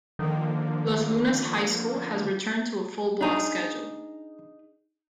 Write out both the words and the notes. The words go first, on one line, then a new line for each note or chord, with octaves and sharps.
Los Lunas High School has returned to a full-block schedule.
D3 D#3 F3 A#3
D4 D#4 G#4